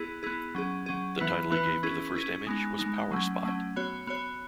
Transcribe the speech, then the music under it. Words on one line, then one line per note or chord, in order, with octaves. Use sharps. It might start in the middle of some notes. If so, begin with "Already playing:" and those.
The title he gave to the first image was Power Spot.
Already playing: B3 E4 G#4
B3 E4 G#4
F#3 C#4 G#4
F#3 C#4 G#4
E3 B3 E4 B4
E3 B3 E4 B4
C#4 E4 G#4
C#4 E4 G#4
G#3 B3 D#4
G#3 B3 D#4
F#3 A3 C#4
F#3 A3 C#4
B3 F#4 C#5
B3 F#4 C#5